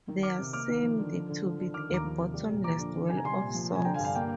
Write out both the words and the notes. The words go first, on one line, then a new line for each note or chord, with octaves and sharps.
There seemed to be a bottomless well of songs.
D#3
D#3 D6 F6
C3
A#3 D6 F6
D#3
F3
D3
F3
D3
F3
D3
D#3 D6 F6
D#2 A#5 D6
F3
C3
G3
A#2
F3 A#5 D6
D3
D#3
C3 G#5
A#5
G3 G#5 C6
A#2
F3
C3
G#5
D3 G5 A#5
F5 G#5
G2
F5 G#5
A#3 G5